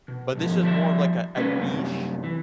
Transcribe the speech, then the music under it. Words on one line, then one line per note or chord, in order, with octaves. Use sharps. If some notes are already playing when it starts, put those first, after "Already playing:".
but this was more of, like, a a niche
B2
B1 G#2 F3
F3 G3 C#5 E5
G3 G#3 A#3 C#4 B4
F#2 C3 G3
E3